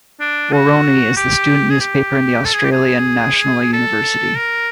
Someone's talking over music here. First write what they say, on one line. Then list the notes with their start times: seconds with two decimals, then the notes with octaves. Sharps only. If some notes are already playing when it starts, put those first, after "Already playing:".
"Woroni" is the student newspaper of the Australian National University.
0.20 D4
0.53 F#4
1.17 G4
1.70 G#4
1.80 G4
2.45 A4
2.54 G#4
2.64 G4
2.72 G#4
3.73 A4
4.37 A#4